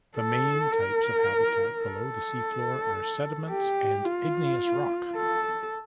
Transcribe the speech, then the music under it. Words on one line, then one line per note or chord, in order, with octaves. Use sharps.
The main types of habitat below the seafloor are sediments and igneous rock.
A4
A#4
A4
G4
F4
A4